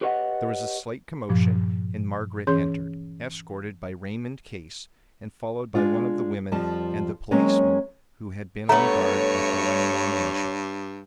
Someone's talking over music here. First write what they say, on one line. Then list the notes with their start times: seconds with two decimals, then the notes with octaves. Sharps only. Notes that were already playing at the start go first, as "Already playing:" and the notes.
There was a slight commotion, and Margaret entered, escorted by Raymond Case, and followed by one of the women and the policeman who had been on guard at the Langmore mansion.
0.01 G4 B4 C#5 D#5 F#5
1.29 G2 A#2 F3
2.47 E3 C#4 G#4 C#5 C6 G6
5.75 G#3 D4 F4
6.52 F2 F3 G3 A5
7.31 F#3 G#3 A#3 C4 C#4 C#5
8.69 G2 A3 B3 C#5 A#5